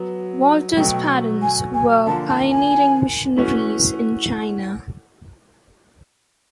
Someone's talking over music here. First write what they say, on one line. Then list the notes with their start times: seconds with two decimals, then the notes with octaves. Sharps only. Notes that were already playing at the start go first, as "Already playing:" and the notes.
Walter's parents were pioneering missionaries in China.
Already playing: F#3 B3
0.77 B2 F#3 A3 G5
1.42 G#5
1.74 G#5
2.06 D3 F3 A#3 A5
2.28 A5
2.50 G#5
3.37 E3 A3 C#4 F#4